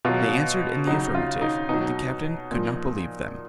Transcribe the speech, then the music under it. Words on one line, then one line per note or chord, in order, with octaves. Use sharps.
They answered in the affirmative, but the captain could not believe them.
B2 F#3 F4
C#3 F#3 D#4
F4
D#4
B2 F#3 D#4
A#2 F3